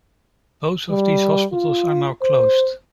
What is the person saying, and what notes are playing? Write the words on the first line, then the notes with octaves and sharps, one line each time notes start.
Both of these hospitals are now closed.
G3
F4
C5